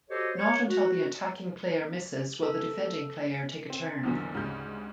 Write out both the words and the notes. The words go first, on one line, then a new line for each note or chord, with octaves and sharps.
Not until the attacking player misses will the defending player take a turn.
F#4 G4 A4 C5 C#5 D#5
C#5
F#4
A4
C4
B1 E2 A#2 D3 D#3 F3
D2 G#2 C#3 G3 C4 G6